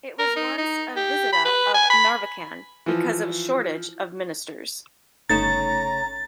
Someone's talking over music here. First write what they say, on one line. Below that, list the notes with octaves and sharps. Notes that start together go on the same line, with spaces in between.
It was once a "visita" of Narvacan because of a shortage of ministers.
A#4
D#4
D#4
G4
B5
B4
G#5
B5
E3 F3
G1 C#3 A3 D#4 C#5 A#5 A6 E7